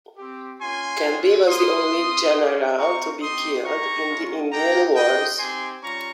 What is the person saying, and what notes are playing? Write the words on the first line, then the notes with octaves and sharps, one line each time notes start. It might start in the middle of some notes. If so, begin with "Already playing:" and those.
Canby was the only general to be killed in the Indian Wars.
C4 G4
A#3 C#4 F4 G#5 C6
G#3 C#4 F4
A#3 F4 C6 D#6
C4 F4
A#3 D#4 G4
C4 F4 A#5 C#6
C4 D#4 G4 C6 D#6
A#3 D#4 G4 A#5 C#6
G#3 C#4 F4
A#3 D#4 G4 G5 A#5
G#3 D#4 G4 D#5 G5
C4 D#4 G4 G#5 C6
G3 C#4 F4 A#5 C#6